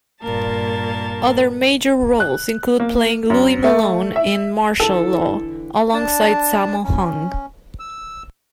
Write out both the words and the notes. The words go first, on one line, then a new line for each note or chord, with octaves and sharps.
Other major roles include playing Louis Malone in "Martial Law" alongside Sammo Hung.
G2 A#2 A#3 A#4 A5
F#6
A#3
F#2
A3
E5
D3 E3 A4
D4 A5
C#4
E6